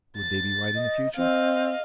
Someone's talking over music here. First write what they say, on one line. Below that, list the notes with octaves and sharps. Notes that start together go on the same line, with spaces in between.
Would they be right in the future?
A6
D#5
C4 D#5 F5